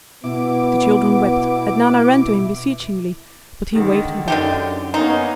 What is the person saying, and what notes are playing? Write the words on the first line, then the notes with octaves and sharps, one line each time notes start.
The children wept, and Nana ran to him beseechingly, but he waved her back.
B2 B3 E4 D6
D3 D#3
F#2 D3 D#3 G4
A#3 B3 C#4 D#4